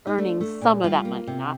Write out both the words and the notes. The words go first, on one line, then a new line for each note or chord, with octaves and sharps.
earning some of that money, not,
D#4
A3 D4
A3
A#2
G3 F4
A#3
C3